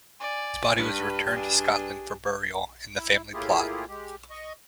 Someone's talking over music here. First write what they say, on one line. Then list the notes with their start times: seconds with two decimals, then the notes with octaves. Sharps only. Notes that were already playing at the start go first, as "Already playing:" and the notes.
His body was returned to Scotland for burial in the family plot.
0.20 D5 G#5
0.78 G2 B4
1.33 D4 G#4
2.96 E4
3.34 A2 A#3 E4 F4 G4 G#4
3.88 G#3 G4
4.30 D#5 C#6